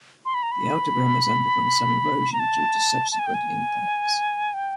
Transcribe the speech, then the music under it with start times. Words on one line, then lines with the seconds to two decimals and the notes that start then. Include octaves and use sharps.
The outer rim has undergone some erosion due to subsequent impacts.
0.25 C6
0.34 B5
0.43 A#5
0.52 B5
2.33 A#5
2.39 A5
3.12 A5
3.19 G#5
3.26 G5
3.34 G#5
4.54 G5